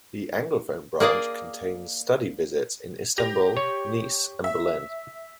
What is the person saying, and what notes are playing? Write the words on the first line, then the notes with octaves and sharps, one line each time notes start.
The anglophone branch contains study visits in Istanbul, Nice and Berlin.
A#3 G#4 D5 D#5
G4 A#6 F7
C#5
E5